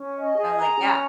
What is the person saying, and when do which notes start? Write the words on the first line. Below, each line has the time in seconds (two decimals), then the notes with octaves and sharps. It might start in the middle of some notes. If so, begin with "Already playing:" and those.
I'm like, "Yeah."
Already playing: C#4
0.16 D#5
0.37 G#4
0.58 A#5
0.80 C#4